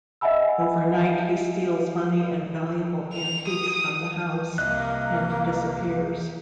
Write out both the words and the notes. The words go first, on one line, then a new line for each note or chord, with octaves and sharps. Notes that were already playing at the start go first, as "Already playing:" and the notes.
Overnight he steals money and valuable antiques from the house and disappears.
D#5 E5 F#5 G#5 B5 E6
F7
D#6
C2 A#3 D#5 F#6